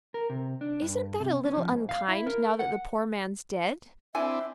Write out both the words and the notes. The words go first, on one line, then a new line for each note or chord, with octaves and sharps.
"Isn't that a little unkind now that the poor man's dead?"
A#4
C3
D4
G2
C3
C#4
F3
G#2
F5
E4
A#4
F#5
C4 D4 E4 E5 G#5